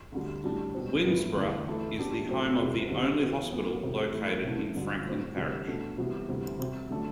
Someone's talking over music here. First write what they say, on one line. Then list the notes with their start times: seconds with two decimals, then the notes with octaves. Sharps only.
Winnsboro is the home of the only hospital located in Franklin Parish.
0.12 D2 D3 G3
0.44 A2 G3 D4
0.74 B2 G3 C4
1.05 G2 E3 B3
1.36 E2 D3 A3
1.67 E3 A3 E4 A4
1.97 E3 B3 D4 G4
2.28 A2 F#3 A3 C4 F#4
2.59 E2 C3 G3
2.90 D3 G3 C4 G4
3.21 E3 B3 F#4
3.52 A2 F#3 B3 F#4
3.82 E2 C3 G3
4.13 A2 E3 A3 E4 A4
4.44 C2 C3 E3 A3
4.75 G2 D3 F#3
5.05 A2 F#3 C4
5.36 D2 C3 E3 G3
5.67 B2 A3 D4 F#4 A4
5.98 C3 E3 G3 B3 F#4
6.28 D2 C3 E3 G3
6.59 C3 G3 C4 F#4
6.90 D3 F#3 A3 D4 A4